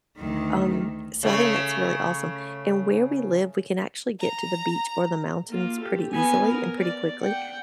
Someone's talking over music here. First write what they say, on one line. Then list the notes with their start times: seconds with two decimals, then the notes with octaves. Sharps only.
Um, so I think that's really awesome, and where we live, we can actually get to the beach or the mountains pretty easily, and pretty quickly,
0.17 D2 D#3
1.23 C#3 A3
4.19 A#5
5.49 A#3 F4
5.80 G4 A4
6.12 B3 G#5
6.47 A#4
6.79 D5
7.20 F#5 G5